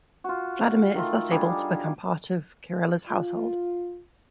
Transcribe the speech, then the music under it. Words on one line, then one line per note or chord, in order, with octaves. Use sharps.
Vladimir is thus able to become part of Kyrilla's household.
F4 F#4
D#3 A3 F4
G3 D4 D#4 G#4
F4